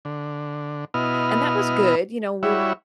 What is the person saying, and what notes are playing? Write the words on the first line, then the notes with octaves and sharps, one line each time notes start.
and that was good, you know, we
D3
B2 B3 E4 D#5 F6
G3 E4 F#4 C#5 E5